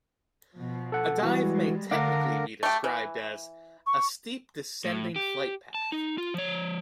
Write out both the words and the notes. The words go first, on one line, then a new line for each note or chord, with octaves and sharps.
A dive may technically be described as "a steep descending flight path".
B2 F3
A4 F#5
E3 G3 G#3 F#4
D3 A3 A#4 F5 F#5 D6
A3 G4
E3
C#6
A2
G4
A5
D#4
F4
F3 C#5